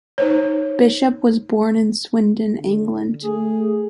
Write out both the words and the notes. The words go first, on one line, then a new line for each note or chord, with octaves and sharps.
Bishop was born in Swindon, England.
D#4 C5 C#5
D3
A3 G#4